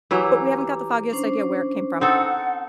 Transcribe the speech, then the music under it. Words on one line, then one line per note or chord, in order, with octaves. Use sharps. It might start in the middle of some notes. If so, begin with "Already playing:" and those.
but we haven't got the foggiest idea where it came from.
E3 F#3 E4 G4 A#5 D6
C#4 D4 C5
C4 D#4 A4 F#5